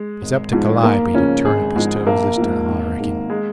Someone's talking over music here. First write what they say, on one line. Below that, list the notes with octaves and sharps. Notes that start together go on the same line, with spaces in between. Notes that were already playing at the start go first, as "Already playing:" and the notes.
It's up to Calliope to turn up his toes this time, I reckon.
Already playing: G#3
G#1
G#2 F3
D#2 A#3
C#3 F3 C#4
G#1 G#4
G#2 F3 G#3
A#1 A#3
G#2 F3
G#1
G#2 D#3
G#3